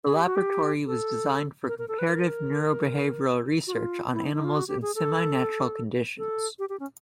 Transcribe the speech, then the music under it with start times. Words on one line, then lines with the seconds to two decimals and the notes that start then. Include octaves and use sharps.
The laboratory was designed for comparative neurobehavioral research on animals in semi-natural conditions.
0.05 G#4
0.15 G4
0.25 F#4
0.36 G4
0.87 A4
1.68 A#4
1.79 A#4
1.88 A4
1.99 B4
2.09 A#4
3.67 F#4
3.73 F4
4.13 E4
4.24 D#4
4.34 D#4
4.44 F4
4.55 F#4
4.68 G4
4.82 G#4
4.95 A4
6.18 A4
6.59 G4
6.69 G4
6.80 C#4